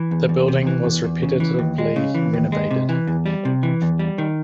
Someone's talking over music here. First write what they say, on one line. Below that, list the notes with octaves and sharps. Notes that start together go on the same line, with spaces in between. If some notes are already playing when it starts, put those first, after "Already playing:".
The building was repeatedly renovated.
Already playing: E3
E2
E2
C3
E3
E2
E2
C#3
E3
D#2
G#3
C#3
E3
D#2
G#3
C3
E3
E2
G3
C3
E3
E2
G3
D#3